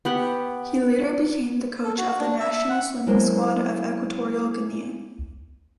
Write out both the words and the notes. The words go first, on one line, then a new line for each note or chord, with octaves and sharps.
He later became the coach of the national swimming squad of Equatorial Guinea.
B3 G4 F#5
A4
F#4
D4
E5
E5
F#5
F#3 G#3 E4 A#4 C5 A5